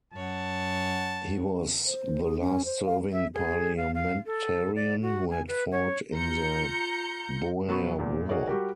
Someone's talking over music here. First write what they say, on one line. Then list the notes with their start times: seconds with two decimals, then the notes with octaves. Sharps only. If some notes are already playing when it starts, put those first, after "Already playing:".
He was the last serving parliamentarian who had fought in the Boer War.
0.13 F#2 C#5 F#5 A5
1.87 C5
2.24 G#4
2.40 C#4
2.65 C5
2.85 F5
3.13 E5
3.34 G#4
3.77 F5
3.95 F5
4.26 A4
4.76 D5
5.02 F#4
5.31 G#5
5.48 B4
5.72 C#5
6.13 F4 A#5 G6 C#7
7.67 B2 F#3 B3 C#6
7.99 E2 A#2
8.29 D#4 F#4 G#4 A#4 C#5 D5
8.47 G3 F#4 G4 A#4